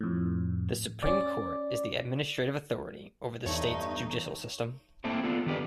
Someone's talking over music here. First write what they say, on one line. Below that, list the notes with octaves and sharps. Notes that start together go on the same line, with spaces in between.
The Supreme Court is the administrative authority over the state's judicial system.
F2 A2
C#4 D5
E2 G2 A3 D#4 C#5
A3 A#3 C4 E4 A4 A5
B3 D4 F4 G#4 A4
D#3 D4 G4 B4 D5